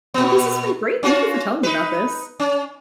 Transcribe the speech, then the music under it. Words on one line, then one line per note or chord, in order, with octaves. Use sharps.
Well, this has been great. Thank you for telling me about this.
A#2 B3
C#4 F4 F#4
D#4 B4
C#4